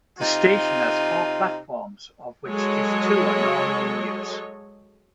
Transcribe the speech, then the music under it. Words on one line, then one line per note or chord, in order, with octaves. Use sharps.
The station has four platforms, of which just two are normally in use.
C3 D#4 F4
F#3 G#3 A4 C#5 D#5